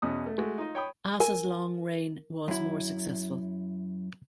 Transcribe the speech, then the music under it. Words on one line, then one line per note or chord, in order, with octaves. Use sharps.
Asa's long reign was more successful.
E2 B2 C#4 D#6
A3
G#3 A3 F#4
D#4 F4 D#5
C#5 G5 B5 D#6
A#4 G#5
F#2 E4